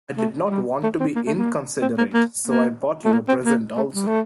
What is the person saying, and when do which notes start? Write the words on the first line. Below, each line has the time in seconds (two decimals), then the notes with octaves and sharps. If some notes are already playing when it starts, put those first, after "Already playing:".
I did not want to be inconsiderate so I bought you a present also.
0.17 A3
0.50 G3
0.83 A3
1.00 C4
1.15 A#3
1.26 A3
1.37 A#3
1.81 C4
1.98 A#3
2.14 A#3
2.47 A#3
3.05 A3
3.12 A#3
3.28 C4
3.45 A#3
3.77 A3
3.94 G3
4.07 A3